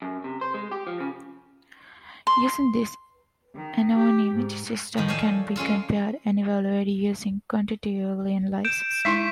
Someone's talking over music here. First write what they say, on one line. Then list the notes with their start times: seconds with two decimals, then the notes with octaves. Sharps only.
Using this anonymity systems can be compared and evaluated using a quantitatively analysis.
0.02 F#2
0.24 C3
0.41 C5
0.54 G#3
0.72 G4
0.87 F3
1.00 C#3
2.27 C6
3.55 D#3
3.96 G4
4.35 G#2
4.97 A2 D#3 F3
5.08 A4 C#5 D5 F5 G#5 A5
5.56 G#3 C#4 F4 A4
8.65 G6 D7 E7
9.05 G#3 D#4 E4 C#6 B6